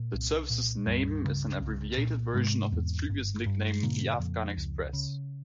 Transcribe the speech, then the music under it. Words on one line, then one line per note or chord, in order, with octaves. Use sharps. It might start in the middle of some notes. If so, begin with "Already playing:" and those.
The service's name is an abbreviated version of its previous nickname "The Afghan Express".
Already playing: A#2
C2
A#2
C#2 G2 G3
C#3
C2
A#2
G#2 C3 G#3
E2
G1
G2
A#2 C#3 A#3
F2
C#2
C#3